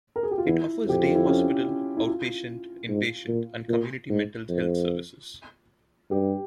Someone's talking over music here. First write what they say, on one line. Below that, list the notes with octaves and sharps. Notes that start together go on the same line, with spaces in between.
It offers day hospital, outpatient, inpatient, and community mental health services.
A#4
G#4
G4
F4
E2 E4
F2 G4
F4
E4
C#4
C#4
E4
F4
G#2
A#2
A#2
G#2
F2
G2 G4